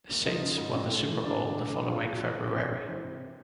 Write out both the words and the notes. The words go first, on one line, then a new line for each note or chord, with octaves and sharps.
The Saints won the Super Bowl the following February.
A#3
F3 D#4
C#3
G#2
C4
A3
E3
G#2 D4
C4
D4
A3
E3 D4
C2 F4
G#3
F#4
E3
B4
C3
C2 C#5
G#3
E3 C5
C3